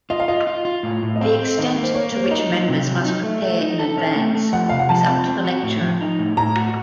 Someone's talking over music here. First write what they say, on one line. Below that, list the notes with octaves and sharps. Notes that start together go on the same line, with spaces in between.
The extent to which members must prepare in advance is up to the lecturer.
F4 D#5
F5
F4 D#5
F4
F4
A2
A2
D#5
C4 F5
C4
D#3 D#5
A#3
C5
A#3 C#5
A#3 C5
C#5
D#4 D#5
F#3
C3
F#3
D#4
A3
A3
D#4
A4
C#4
A3
A3
F3 F#5
C3 F5
F#5
F3 A5
C4
C4
F#4
A2
F3
D#4
A2
A2 A#5
F#4